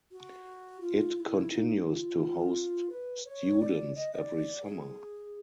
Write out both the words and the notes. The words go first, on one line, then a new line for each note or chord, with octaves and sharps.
It continues to host students every summer.
F#4
F4
F4
E4
E4
D#4
F#4
F4
B4
C#5
D5
D#5
D#5
D5
G#4